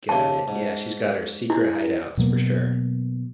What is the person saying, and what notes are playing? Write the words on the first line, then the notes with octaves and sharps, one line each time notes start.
Got it. Yeah, she's got her secret hideouts for sure.
D#2 C#3 A5
G#2
E4 G#4
B2 F#3 A#3